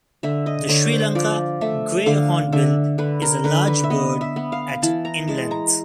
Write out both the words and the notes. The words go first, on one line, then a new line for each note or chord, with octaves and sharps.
The Sri Lanka grey hornbill is a large bird at in length.
D3 E5
D#5
D3 C#5
C5
F3 D5
A3 E5
D3 F5
D3 E5
D3 B4
A#4
D3 B4
B4
E5
B3 D#5
E5
B3
F5
E3 A5
A#5
G#3 A5
A#5